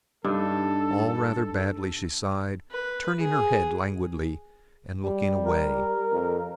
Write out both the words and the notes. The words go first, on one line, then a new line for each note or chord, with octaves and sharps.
"All rather badly," she sighed, turning her head languidly and looking away.
G2 D4 D#4 A4
B4
G#4
G3
A#4
F2